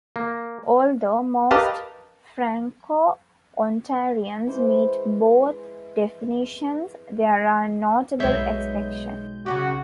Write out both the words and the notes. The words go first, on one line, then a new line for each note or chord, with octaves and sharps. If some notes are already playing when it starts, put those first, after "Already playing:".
Although most Franco-Ontarians meet both definitions, there are notable exceptions.
A#3
G4 A#4 B4 D#5 F5 A5
E3 G#3 C5
B1 G#3 B3 C#5 E5 G6
C#3 C#4 F#4 G4